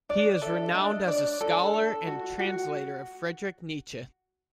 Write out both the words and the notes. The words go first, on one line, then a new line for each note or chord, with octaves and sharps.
He is renowned as a scholar and translator of Friedrich Nietzsche.
D4 D5
A4 E5
D4 D#5
D4 D5
A4
A4
F#4
F#4